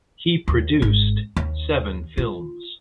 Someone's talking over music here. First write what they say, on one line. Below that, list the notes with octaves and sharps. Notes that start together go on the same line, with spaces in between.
He produced seven films.
D#2
G#1
D#2
F4